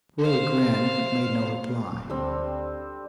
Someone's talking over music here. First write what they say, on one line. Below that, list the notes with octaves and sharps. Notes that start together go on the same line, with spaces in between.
Ray grinned, but made no reply.
C5 F5
D#1
D2 D3 G3 C4